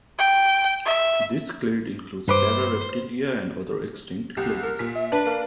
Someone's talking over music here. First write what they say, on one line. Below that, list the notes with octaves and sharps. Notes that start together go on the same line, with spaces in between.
This clade includes Parareptilia and other extinct clades.
G5
E5
G2 B4 C5 D6
C2 G4
A#4
A#2 B6
E5
D4 B4
A#3